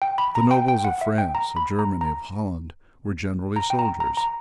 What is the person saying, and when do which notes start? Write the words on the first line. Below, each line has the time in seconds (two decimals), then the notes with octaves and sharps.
The nobles of France, of Germany, of Holland, were generally soldiers.
0.02 G5
0.18 B5
0.35 A#5
0.51 G5
0.68 G5
0.85 F#5
1.01 E5
1.18 G5
1.35 A#5
1.57 B5
1.79 A#5
2.01 A#5
3.56 A#5
3.70 G5
3.79 A#5
4.00 A#5
4.17 A#5